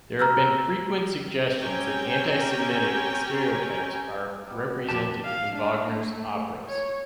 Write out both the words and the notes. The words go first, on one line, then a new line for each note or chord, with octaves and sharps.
There have been frequent suggestions that antisemitic stereotypes are represented in Wagner's operas.
A#5 E6 F6
C4 C#4 G4 G5 G#5 A#5
B2 G3
F2 C4 D4 G4 A5
F5
D4
A3
C#5